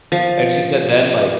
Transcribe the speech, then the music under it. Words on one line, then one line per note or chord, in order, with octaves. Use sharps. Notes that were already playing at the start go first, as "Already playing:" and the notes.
And she said then, like,
F3